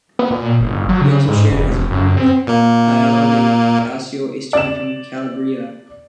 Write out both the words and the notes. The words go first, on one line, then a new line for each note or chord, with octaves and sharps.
He also shared his home with Paolo di Ciacio, a student from Calabria.
B3
A#2
G1
F#3
C#3
G#2
F1
E1
F#2
C4
A#2 A#3
D5 E7